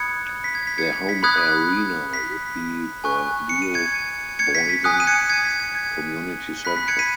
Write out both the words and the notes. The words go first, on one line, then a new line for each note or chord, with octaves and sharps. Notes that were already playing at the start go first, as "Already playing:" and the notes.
Their home arena would be the Leo Boivin Community Centre.
Already playing: B5 D#6 F#6 G#6 C#7
B6
G#6
B6
G#6 C#7
B6
B5 D#6 F#6 G#6
B6
G#5 C#6 F#6
C#7
D#7
G#6 C#7
G#6 C#7
B6
B6
G#5 D#6 F#6 B6
D#7
G#6 C#7
G#6 C#7
B6
G#6
G#6
B5 F#6 B6
B6
G#6 C#7
B6 D#7